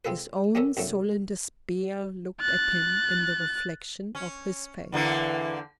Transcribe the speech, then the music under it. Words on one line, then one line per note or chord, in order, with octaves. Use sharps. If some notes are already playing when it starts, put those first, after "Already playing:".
His own sullen despair looked at him in the reflection of his face.
G#3 C4 F4 A4 B4
G3 A3 C#4 A#4 E5
C2 G2 F#3 A3
F#6 A6
C#4
E2 D3 E3 A#3